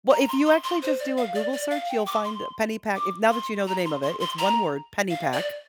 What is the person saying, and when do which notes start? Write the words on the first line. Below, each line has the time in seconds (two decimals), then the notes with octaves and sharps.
well, if you actually just do a Google search, you'll find Pennypack, if now that you know the name of it, it's one word, Pennypack.
0.10 A#5
0.23 A#5
0.28 C6
0.46 C6
0.64 C6
0.82 C5
1.00 D5
1.17 F5
1.35 D5
1.53 D5
1.71 F5
1.89 G5
2.07 D6
2.24 C6
2.96 D6
3.31 C6
3.67 A#5
3.85 C6
4.03 C6
4.21 C6
4.38 A#5
5.10 F5
5.33 D5